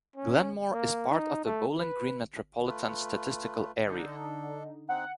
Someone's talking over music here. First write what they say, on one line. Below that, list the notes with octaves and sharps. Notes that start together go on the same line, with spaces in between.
Glenmore is part of the Bowling Green Metropolitan Statistical Area.
C#4
A#3
D#4
A3
B4
A3 F4 B4
D3 D4 D#4 A4
C4 D#4 F#5